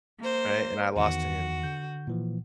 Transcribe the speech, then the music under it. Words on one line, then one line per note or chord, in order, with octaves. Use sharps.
Right? And I lost to him.
A#3 C5
E2 D#3 F#4
D3 G6
A#2 E3 F3